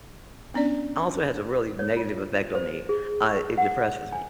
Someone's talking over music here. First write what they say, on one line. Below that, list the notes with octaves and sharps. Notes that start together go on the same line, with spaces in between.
also has a really negative effect on me, uh, it depresses me.
B3 C#4 D4 D5
C#5
F4
C5
G#4
C#6
F#5
G#5